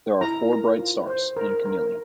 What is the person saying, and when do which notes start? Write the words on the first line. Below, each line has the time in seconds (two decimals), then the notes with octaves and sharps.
There are four bright stars in Chamaeleon.
0.21 E4 A#5
0.50 A#4
0.79 F4
1.07 C5
1.37 A#4
1.65 A#4